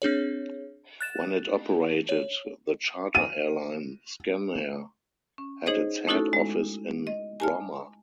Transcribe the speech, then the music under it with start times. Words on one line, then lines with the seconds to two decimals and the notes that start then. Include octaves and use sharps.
When it operated, the charter airline Scanair had its head office in Bromma.
0.02 C4 D4 G#4 C#5
1.01 F#6 A6 E7
2.09 C#5
3.15 D#7
5.38 C#4
5.66 D#4 G#4 C5 C#5 D#5
6.07 A3 C#4 D#4 E4 F#4 A4
6.33 G#3
7.07 D#5
7.40 G#5 A5 F6